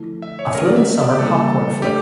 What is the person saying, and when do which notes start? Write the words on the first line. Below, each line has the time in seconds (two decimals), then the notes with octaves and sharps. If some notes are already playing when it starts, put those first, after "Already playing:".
A thrilling summer popcorn flick.
Already playing: D3 F3 A3 E4 A4
0.22 E5
0.39 C#5
0.54 A3 C#4 G4 A#4 C#5
0.65 D5
0.76 E5
0.86 E5
1.03 D5
1.12 G4
1.19 C#3 E3 G3 A#3 A4
1.34 A4
1.82 A3 D4 G4 A4